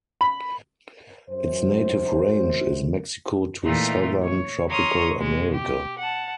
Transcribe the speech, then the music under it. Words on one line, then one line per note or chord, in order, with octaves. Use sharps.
Its native range is Mexico to southern Tropical America.
B5
F#2 C5
A#2 E3 A3 D#4 F4
C#5
C#5 A#5 C6 C#6 D#6 F6
B2 G#3
G4
F#5 A5